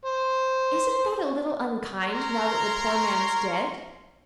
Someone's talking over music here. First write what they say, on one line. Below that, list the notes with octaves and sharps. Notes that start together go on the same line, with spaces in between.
"Isn't that a little unkind now that the poor man's dead?"
C5
A#4 C#5 A#5 C6